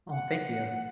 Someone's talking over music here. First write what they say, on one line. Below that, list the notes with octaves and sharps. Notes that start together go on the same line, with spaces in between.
Oh, thank you.
F#5